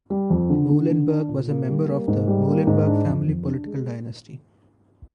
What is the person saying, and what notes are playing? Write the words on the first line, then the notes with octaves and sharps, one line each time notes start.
Muhlenburg was a member of the Muhlenberg Family political dynasty.
G3
F2
D3
D3
D3
D4
A#2
A#3
G3
A#3
G#2
G3
A#3
G#2
D4
F2
F2
D4
G#3